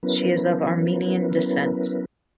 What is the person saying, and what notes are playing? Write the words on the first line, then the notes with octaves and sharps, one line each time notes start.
She is of Armenian descent.
F#3 B3 C#4 E4 A#4 B4